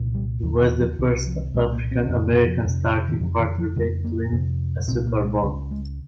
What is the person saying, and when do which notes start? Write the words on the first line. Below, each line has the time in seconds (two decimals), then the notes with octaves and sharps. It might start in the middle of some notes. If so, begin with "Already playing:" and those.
He was the first African-American starting quarterback to win a Super Bowl.
Already playing: C2 A#2
0.15 G3
0.43 D#2 F3
0.46 C#3
0.61 D#3
0.80 F3
0.99 C2 C3 D#3
1.27 F3
1.54 C2 A#2 G#3
1.72 A#3
1.91 C4
2.09 F2 C3 C4
2.28 A#3
2.46 F3
2.65 F2 C3
3.08 D#3
3.20 F2 C#3 F3
3.39 D#3
3.58 F3
3.76 F2 C#3 G3
4.04 A#3
4.32 F2 C3
4.88 A#2 C4
4.91 C2
5.06 A#3
5.24 G#3
5.43 C#2 C#3 G3
5.71 G#3